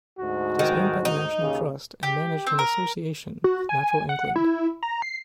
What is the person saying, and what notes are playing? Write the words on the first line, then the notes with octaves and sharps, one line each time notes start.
It is owned by the National Trust and managed in association with Natural England.
D2 G#2 F#4
D#3
D#4
D#2 C#3
G4
C4
A#4
F#4
G#5
F#5
E4
A#5
C7